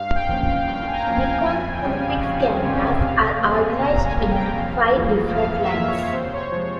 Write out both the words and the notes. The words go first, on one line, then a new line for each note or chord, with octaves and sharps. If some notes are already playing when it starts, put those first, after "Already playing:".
Nikon Coolpix cameras are organized into five different lines.
Already playing: G2 F5
G5
F3 A#3 C#4
G5
G2 G5
G#5
A#5
F3 A#3 C#4
G#5
F2 G#5
G5
C#3 G3 C4 G4
F5
F2 C#5
C5
C#3 G3 C4 G4 C#5
E5
C3 F5
C#5
G3 A#3
G#5
C3 A#5
G#5
G3 A#3
G5
F2 F5
E3 A#3 F4 G#4
F2 F5
E5
E3 A#3 F4 G#4 E5
C#5
C3 C5
C#5
F3 G#3